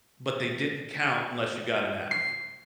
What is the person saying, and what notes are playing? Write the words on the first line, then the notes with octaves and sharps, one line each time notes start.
but they didn't count unless you got an F.
C7